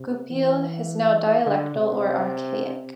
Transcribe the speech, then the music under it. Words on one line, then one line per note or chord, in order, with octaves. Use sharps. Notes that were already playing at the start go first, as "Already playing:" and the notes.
"Goupil" is now dialectal or archaic.
Already playing: C3
E3
D3
C3